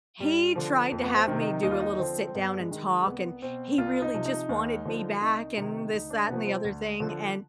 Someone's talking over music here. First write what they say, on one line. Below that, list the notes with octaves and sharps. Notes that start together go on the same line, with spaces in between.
he tried to have me do a little sit down and talk, and he really just wanted me back and this, that, and the other thing, and
G2 G3
D3 F3
F2
B3
C4
C3 D#3
D#4
D#2 D#4
F4
D#4
D3 F3 C4
C4
G2 B3
G#3
D#3
G#3
G#3
C2 B3
B2 C4
C2 F4
D#4
C3 F3
D#4
D#2
D3 F3
C2 D#4
C3 D#3 D#4
D2 D#4
D4
C3 F3 B3
C4
D2
D3 F3